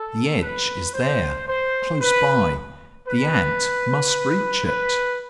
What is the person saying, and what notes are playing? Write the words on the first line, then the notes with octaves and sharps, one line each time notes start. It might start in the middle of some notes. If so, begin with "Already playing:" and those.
The edge is there, close by; the Ant must reach it.
Already playing: A4
B4
C5
C5
B4
B4
B4